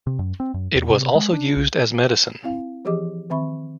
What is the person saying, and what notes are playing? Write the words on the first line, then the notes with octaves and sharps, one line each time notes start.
It was also used as medicine.
C3
F#2
C4
F#2
E2
C3
G#3
D4
B1
C4 E4 F5
E3 F3 G4 G#4 D#5 D6
D#3 C4 E5 B5 C#6